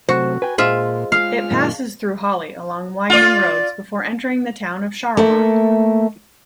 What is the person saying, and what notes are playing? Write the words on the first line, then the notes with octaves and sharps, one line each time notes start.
It passes through Hawley along winding roads before entering the town of Charlemont.
C3 F#3 A3 F#4 C5
B4 G5 G#5
A#2 G#3 F4 C5 E5
G#3 F4 F5 F6
F#2 A#2 D#3
F4 D5
A3 A#3 E5